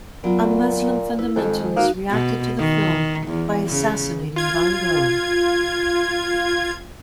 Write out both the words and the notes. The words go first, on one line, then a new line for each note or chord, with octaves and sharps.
A Muslim fundamentalist reacted to the film by assassinating Van Gogh.
A#2 F#3 B3 F4
E4 B4
F2 D#3 G#3 A4 C5
A#3 D#4 F#4 F5
B2
D#3
E2
C#3
F4 G#6